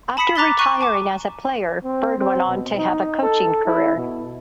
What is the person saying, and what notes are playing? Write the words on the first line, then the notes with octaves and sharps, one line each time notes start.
After retiring as a player, Bird went on to have a coaching career.
A5 B5 D#6 B6 C#7
A#5 D6 F#6 A6 B6 G7
C#6 F#6 D#7
G#5 A5 D6
C4
C4
B2
D#4
A4
E4
B2